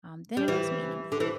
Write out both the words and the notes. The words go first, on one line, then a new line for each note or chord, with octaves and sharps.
then it is meaningful.
G3
E3
D3
E3